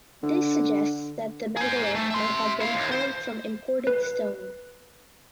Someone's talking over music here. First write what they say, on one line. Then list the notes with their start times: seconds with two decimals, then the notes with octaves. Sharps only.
This suggests that the megalith may have been carved from imported stone.
0.23 D3
1.57 G#4 C5
1.95 A3
2.11 E5 C6
2.60 E4 F5
2.75 D#2
2.91 C5
3.87 B4